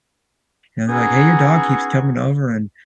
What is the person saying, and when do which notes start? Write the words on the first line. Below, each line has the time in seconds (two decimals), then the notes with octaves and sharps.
you know, they're, like, "Hey, your dog keeps coming over and
0.88 B3 C#4 D#4 E4 F#4 G#4